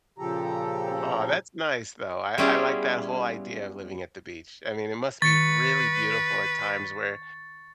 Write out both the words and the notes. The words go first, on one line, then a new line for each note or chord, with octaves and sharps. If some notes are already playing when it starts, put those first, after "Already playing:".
Aw, that's nice, though, I I like that whole idea of living at the beach. I mean, it must be really beautiful at times where,
A#2 C#3 F3 G4 A4 A#5
G3 B3 C#4 E4 F4 G#4
D#3 B4 C#6 A6 C#7